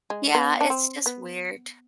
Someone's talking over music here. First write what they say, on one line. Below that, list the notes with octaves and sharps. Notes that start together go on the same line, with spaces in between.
Yeah, it's just weird,
G#3
B3
D4
C4
B3